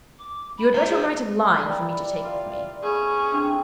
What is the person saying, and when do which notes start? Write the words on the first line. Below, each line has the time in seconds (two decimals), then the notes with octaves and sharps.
You had better write a line for me to take with me.
0.19 D6
0.58 B5
0.74 F#4 C5 A#5
0.89 G#4
1.63 G3 A#3 E4 D5
2.24 F4
2.83 A3 B3 C#4 G#4
3.32 A2 C3 C4 D4